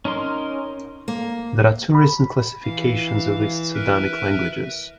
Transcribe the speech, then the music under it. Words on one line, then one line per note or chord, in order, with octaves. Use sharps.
There are two recent classifications of East Sudanic languages.
C#4 D#4 A#4 C6
A#3
B5
E3 F5
A#4 B4 E5